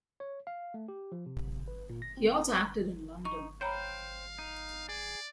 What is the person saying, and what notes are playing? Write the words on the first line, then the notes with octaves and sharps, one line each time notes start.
He also acted in London.
C#5
F5
A3
G4
F3
C3
B4
A#2
A#6
C4
D#4 C#6
C5 C#5 F5 G5 A#5 B5
D#4
G#4 D5